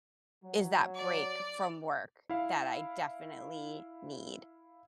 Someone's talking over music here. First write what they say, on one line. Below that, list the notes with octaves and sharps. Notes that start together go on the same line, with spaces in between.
is that break from work that I definitely need.
F#3
D5
E4 F5